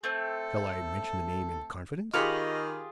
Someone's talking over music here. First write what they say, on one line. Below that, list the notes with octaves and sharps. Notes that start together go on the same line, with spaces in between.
Shall I mention the name in confidence?
A3 C4 A4
D#3 F4 G4 G#4 D#5 B5 C#6 F6